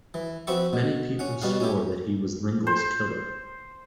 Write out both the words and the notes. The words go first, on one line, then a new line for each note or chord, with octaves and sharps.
Many people swore that he was Lingle's killer.
E3
F3 C4 F#4 B4 E5 C#6
B2
C#4 F#5
B2 G3 F#4 F5
C#4 E4 G4
C5